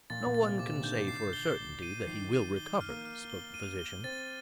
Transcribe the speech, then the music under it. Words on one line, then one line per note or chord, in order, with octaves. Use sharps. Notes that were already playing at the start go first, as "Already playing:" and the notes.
"No one can say for a certainty that he will recover," spoke the physician.
A#2 A6
A#2
A6
C3
C3 D6
D#3
D3 G6
C7
G7
G7
D#7
F3
D#3 C7
D#7
G7
F6
A#3
F6
G7
D#7
G7
C4 A6